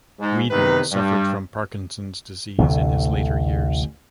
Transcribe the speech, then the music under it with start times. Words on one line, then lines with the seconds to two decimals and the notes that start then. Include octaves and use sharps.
Weedon suffered from Parkinson's disease in his later years.
0.19 G#2
0.50 E2 C3 D#3 B4
0.91 G2
2.58 A1 D2 C3 A3